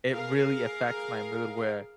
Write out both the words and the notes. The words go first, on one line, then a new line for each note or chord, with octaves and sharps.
it really affects my mood where
G#4 A#4 F5